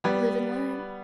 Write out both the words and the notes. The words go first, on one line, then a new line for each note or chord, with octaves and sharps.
Live and learn.
G3 B3